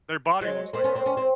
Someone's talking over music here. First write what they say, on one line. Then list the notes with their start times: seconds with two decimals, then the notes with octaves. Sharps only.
their body looks like Garfield.
0.41 F#3 G#3
0.73 A#3 C4
0.84 B3 C#4
0.95 A#3 C4
1.06 C#4
1.17 C4